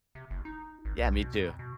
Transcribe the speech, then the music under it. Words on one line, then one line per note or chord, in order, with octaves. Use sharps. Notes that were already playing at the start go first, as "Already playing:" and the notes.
Yeah, me too.
C3
F#1
D#4
G#1
B1
B2
F2
B2